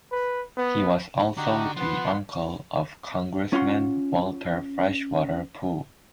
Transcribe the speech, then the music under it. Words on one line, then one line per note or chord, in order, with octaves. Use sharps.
He was also the uncle of Congressman Walter Freshwater Pool.
B4
B3
D3 D#4 F#4 G4
F3 B3 F#5 C6
C#4 F4 F#5 C6